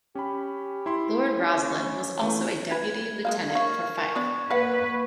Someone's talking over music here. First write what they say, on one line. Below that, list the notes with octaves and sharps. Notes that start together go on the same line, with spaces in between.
Lord Rosslyn was also a Deputy Lieutenant for Fife.
C#4 G4 B5
E4 B5 C6
C#4
E3 A3 C#4
D4 B4 G#6
G#3 A#3 F5
A#4 C#5 F5 C#6
B3 D4
A#3 B4 F5 F#5